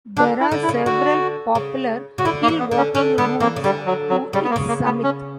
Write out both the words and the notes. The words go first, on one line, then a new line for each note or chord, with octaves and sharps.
There are several popular hillwalking routes to its summit.
D3 D4
E4
D3
E4
C#3
D3 F#4
C#3
C#3 F#4
D3 E4
A#3
E3
B3
D3
C#4
D3 C#4
D3 B3
E3 A#3
C#3
D3 G3
F#3
F#3
C#3 G3
B3
A#3
C#3
A#3
B3
C#4